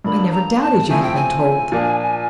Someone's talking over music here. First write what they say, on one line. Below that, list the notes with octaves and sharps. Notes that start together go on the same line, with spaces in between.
I never doubted you had been told.
G2 D3 F3 A#3 B5
B5
A#5
A5
F3 A3 C4 E4 G#5
G5
G#5
A#2 F3 A#3 D4